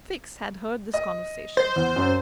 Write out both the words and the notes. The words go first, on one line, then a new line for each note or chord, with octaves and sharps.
Fix had heard this conversation.
D#5
C5
E2
F#2